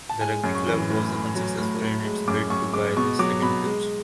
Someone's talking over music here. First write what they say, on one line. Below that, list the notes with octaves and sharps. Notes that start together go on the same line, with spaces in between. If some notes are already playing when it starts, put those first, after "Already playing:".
The rugby club was unsuccessful in its bid to buy this second pitch.
A5
G#3 G#5
F#2
C#6
E3
A2
A2
F#3
A2
A2
G#3
F#2 D6
F#2 C#6
G#3 D6
B2 C#6
F#3 D6
B2 B5
G#3